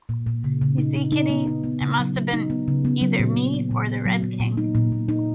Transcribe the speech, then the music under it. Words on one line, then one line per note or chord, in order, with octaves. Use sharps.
You see, Kitty, it must have been either me or the Red King.
A#2
A#2
C#3
C#3
D#4
D#4
D#4
B3
D#4
B3
C#3
F#3
F#3
D#4
B3
C#3
B3
F#3
A#2
B3
B3
A#2
B3
F#3
F#3
A#2
D#4
A#2
A#2
D#4